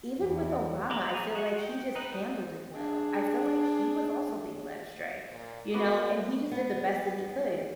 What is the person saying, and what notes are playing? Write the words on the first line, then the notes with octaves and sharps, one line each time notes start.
even with Obama, I feel like he just handled it well. I feel like he was also being led astray, you know, and he just did the best that he could.
E2
C5 C#5 A#5 B5 D6
G#4 A#5
F#4 F#5
F#5 G5
D#4 B4
C5
D4 G#4
A#2
B3 F#4 A#4 F#5 B5 D6
B3